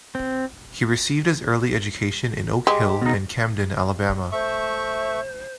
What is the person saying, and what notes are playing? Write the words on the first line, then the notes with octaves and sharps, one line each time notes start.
He received his early education in Oak Hill and Camden, Alabama.
C4
G#3 G4
B2 D#4
A3 C5 E5 C#6